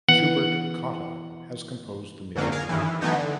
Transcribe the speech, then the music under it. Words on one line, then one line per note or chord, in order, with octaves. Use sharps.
Schubert Cotta has composed the music.
E3 B3 F#5
F2 G#2 D3 A#3 C#4
G#4 A#4 F5
G2 D#3 E3
E3
E3 F#3 A3 B3 D#4 F#4
D3